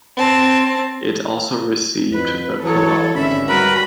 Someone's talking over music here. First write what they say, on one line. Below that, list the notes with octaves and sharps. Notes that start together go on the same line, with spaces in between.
It also received the Kerrang!
C4 A5
F2 B4
E3 F#3 A4 C#5
G#1 D3 C#4 E5 B5
G3 F#4 A#4 B4 B5